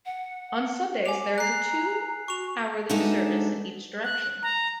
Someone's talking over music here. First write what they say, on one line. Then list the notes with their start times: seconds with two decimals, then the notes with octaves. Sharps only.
On Sundays, there is a two-hourly service in each direction.
0.06 F#5
1.06 G#5 D6 F7
1.38 A#5 F#6 C7
2.28 F#4 C#6 F7
2.89 G#3 D4 D#4 F#4 A4 E5
4.04 F#6
4.43 A#5